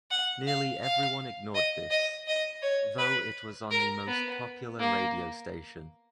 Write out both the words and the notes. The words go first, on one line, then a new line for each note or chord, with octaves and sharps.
Nearly everyone ignored this, though it was on the most popular radio station.
F#5
F5
F5
D#5
D#5
D#5
C#5
B4
A#4
B3
A#3